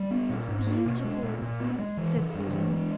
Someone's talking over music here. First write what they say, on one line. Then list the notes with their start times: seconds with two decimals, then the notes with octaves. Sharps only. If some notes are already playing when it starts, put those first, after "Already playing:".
"It's beautiful," said Susan.
Already playing: G3
0.11 B3
0.29 A#2
0.48 G#2
0.67 A#3
0.85 B2
1.04 G#3
1.23 A#2
1.42 A#2
1.60 B3
1.79 G#3
1.97 E3
2.17 C#3
2.35 G2
2.53 E3
2.72 G#3